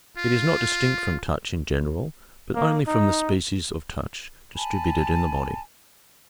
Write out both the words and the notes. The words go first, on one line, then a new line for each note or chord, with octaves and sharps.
It is not distinct from touch in general, but only from the species of touch distributed in the body.
F4
A#3
D#4
G#5 A5 B5